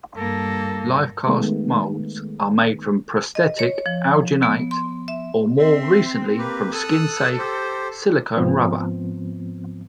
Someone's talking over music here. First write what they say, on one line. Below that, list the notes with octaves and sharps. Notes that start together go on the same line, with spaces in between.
Lifecast molds are made from prosthetic alginate or more recently, from skin-safe silicone rubber.
G2 A#3 A4
D#3 G#3 A3 B3
D#5
C#5
F3
B3
C6
E5
C4 E5 C6
A#3 G4 B4
A4 D#6 E6 F#6
G4 C5
G#2 F3 B3 C4